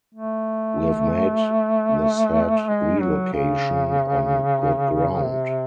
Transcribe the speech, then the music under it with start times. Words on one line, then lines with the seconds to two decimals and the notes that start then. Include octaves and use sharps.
We have made the said relocation on good ground.
0.15 A3
2.68 G#3
3.01 F#3
3.33 C#3
5.23 C3